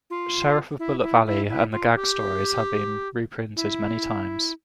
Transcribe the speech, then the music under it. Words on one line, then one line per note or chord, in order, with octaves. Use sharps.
"Sheriff of Bullet Valley" and the gag stories have been reprinted many times.
F4
E4
E4
E4
E4
F4
G4
E4